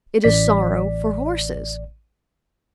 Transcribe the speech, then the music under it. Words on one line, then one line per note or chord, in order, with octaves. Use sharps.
It is sorrow for horses.
A1 D5 B6